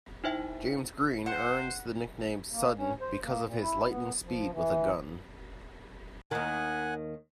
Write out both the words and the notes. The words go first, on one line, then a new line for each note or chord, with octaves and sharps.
James Green earns the nickname "Sudden" because of his lightning speed with a gun.
D#4 E4 C5 E5 G5
C5 F#5
A#3
C#4
C5
A#3
A#2
E4
B3
F3
E3
D#2 D#3 F#5 G#5